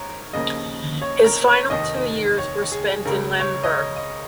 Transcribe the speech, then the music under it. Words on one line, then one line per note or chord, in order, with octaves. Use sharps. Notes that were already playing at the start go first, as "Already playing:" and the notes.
His final two years were spent in Lemberg.
Already playing: G#1 G#2 A#4 C#5
D#2 C#3 F3 A#3 D#5
C#5
A#4
C#5
F1 D#2 D#3 D#5
C#5
G#4
C#2 C#3 G#3 A#4
C#5
D#5
C#5
D#5